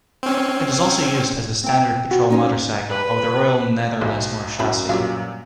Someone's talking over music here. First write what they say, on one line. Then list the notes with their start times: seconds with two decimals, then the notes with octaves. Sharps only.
It is also used as the standard patrol motorcycle of the Royal Netherlands Marechaussee.
0.23 C4 C#4
1.64 C4 G5
2.11 F#4
2.30 C#4 D#4 C5
2.89 B4
4.01 B1
4.59 F#2 E4 F#4 B5
4.89 G2 A#2 F#3 G4 E5 F5